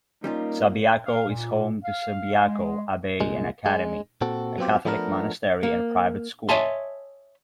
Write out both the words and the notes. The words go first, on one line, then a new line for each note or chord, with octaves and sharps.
Subiaco is home to Subiaco Abbey and Academy, a Catholic monastery and private school.
G3 A#3 C#4 D#4 F4
F5
A#2
F5
G#3
C2 A#2 G#3
G#3
A#2 C4 F#4 A4
F#3 B3 C4 F4 G4
F3 A3 B3 D4 G#4 A#4
A#3
C#5 D#5 E5 G#5 A5 C6